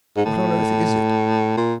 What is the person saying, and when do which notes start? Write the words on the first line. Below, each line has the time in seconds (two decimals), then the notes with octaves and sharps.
"What on earth is it?"
0.16 G#2
0.25 A2
1.57 A#2